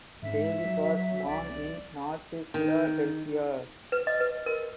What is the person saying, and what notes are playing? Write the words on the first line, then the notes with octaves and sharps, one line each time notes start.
Davis was born in North Philadelphia.
G#2 E5
F#3
C2 D5
D#3
B4
D#5
B4
A#4